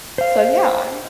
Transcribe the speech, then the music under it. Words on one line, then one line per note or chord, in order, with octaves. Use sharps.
so yeah, I'm
C5 F5